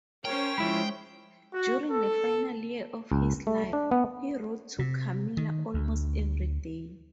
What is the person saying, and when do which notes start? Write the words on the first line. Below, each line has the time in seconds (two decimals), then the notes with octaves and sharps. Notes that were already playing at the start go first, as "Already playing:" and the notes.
During the final year of his life, he wrote to Kamila almost every day.
0.25 C#4 A#4 C5 C#5 G5
0.58 F3 G#3 E4 B5
1.54 F#4
1.91 A4
3.12 C#2
3.47 A3
3.73 D4
3.91 B3
4.79 C3
5.37 D#3
5.74 D2